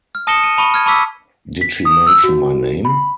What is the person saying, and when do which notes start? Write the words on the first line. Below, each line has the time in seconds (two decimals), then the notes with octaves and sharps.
Did She Mention My Name?
0.15 F6
0.27 A5 D#6 A#6 C#7 E7 G7
0.43 D#7
0.57 A5 B5 C#6 D#7
0.74 F6 G#6 D#7
0.86 A5 B5 C#6 D6 E6 B6
1.61 B6
1.85 D#6
2.07 E6
2.24 F#4
2.85 B5